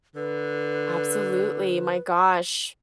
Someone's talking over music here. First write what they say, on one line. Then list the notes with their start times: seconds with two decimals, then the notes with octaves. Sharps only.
Absolutely, my gosh.
0.15 D3 B4